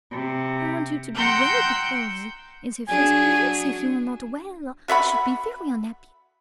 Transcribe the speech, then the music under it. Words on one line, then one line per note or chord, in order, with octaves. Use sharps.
I want you to be well, because, in the first place, if you were not well, I should be very unhappy.
C3
F#5 G5 A#5 C6 E6 G6
F#3 D4 G#4 G#5
F#4 E5 F#5 B5